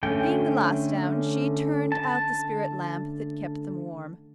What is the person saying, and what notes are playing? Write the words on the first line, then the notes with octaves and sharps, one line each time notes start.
Being the last down, she turned out the spirit-lamp that kept them warm.
D3 A3 C#4 G5
A5